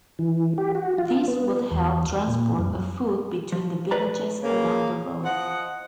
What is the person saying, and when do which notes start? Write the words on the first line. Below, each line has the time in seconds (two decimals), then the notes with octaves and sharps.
This would help transport of food between the villages along the road.
0.19 E3
0.58 G4
0.75 F#4
0.98 F4
1.28 B3
1.71 E2
2.28 A#2
2.59 F#2
3.52 F3
3.91 B4 D5 A#5
4.43 C#3 A#3
5.23 F3 D#5 F#5